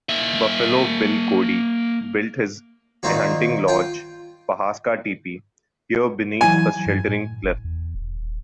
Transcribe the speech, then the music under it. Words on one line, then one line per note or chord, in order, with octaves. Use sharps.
Buffalo Bill Cody built his hunting lodge, Pahaska Teepee, here beneath a sheltering cliff.
A#3 E5
A#2 D#3 A#3 C4 F#4
F4 G5
E3 F#3 E4 G#5
G2
A2
F#1
E2
D#1